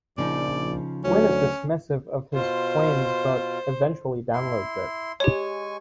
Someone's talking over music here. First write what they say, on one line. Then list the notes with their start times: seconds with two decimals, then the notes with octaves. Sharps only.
Quinn is dismissive of his claims but eventually downloads it.
0.18 A#1 C#3 F3 D#4 D5
1.04 D2 F#3 C#4
2.34 B2 F4 C5
4.33 E4 C6
5.20 G#3 G4 C#5 G#5 C#6